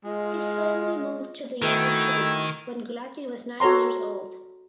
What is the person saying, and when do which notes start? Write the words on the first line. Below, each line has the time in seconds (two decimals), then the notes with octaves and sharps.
His family moved to the United States when Gulati was nine years old.
0.04 G#3 F4 G#4 D#5
1.62 D#3 A3 E4 F#4 D#5 G5
3.60 F#4 A4 C#5 A#5 C6